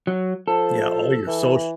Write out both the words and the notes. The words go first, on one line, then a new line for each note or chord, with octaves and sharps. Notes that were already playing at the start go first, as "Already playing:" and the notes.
yeah, all your soc
F#3
F3 A4
E3